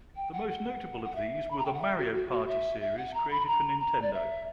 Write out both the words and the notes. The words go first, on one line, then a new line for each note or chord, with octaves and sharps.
The most notable of these were the "Mario Party" series, created for Nintendo.
G5
F#5
F#5
F#5
E5
B5
A#5
G5
F#5
E5
F#4
F#4
F#4
E5
E5
F#5
A#5
B5
A#5
A#5
D5
E5